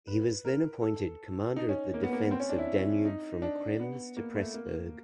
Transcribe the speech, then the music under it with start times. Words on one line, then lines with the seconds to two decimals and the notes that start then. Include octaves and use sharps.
He was then appointed commander of the defense of Danube from Krems to Pressburg.
0.07 B4
0.45 A#4
0.82 A4
1.56 D#4
1.69 C#4
1.94 A#3
2.03 B3
2.13 A#3
2.21 B3
2.31 C4
2.40 C#4
2.49 D4
2.58 E4
3.05 D#4
3.42 D4
3.79 B3
4.17 A#3
4.35 A3
4.54 A#3